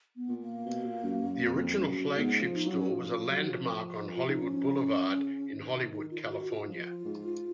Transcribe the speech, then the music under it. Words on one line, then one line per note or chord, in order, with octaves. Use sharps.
The original flagship store was a landmark on Hollywood Boulevard in Hollywood, California.
B3
A#2
A#3
B2
A#2
F#2
F#2
F2
F#2
G#2 B3
F3
D#4
F#3
C#4
F3
F3
F#3
F3
F4
D#4
C#4
C#3
D#3
D#4
F4
F#4
F4
F3 F4
G#2